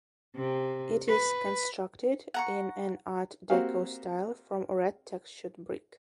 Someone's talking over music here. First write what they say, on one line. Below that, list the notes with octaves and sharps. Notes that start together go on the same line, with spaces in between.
It is constructed in an Art Deco style from red textured brick.
C3
B4
F#5 A#5 C#6
A#3 C4 F#4 G4 F5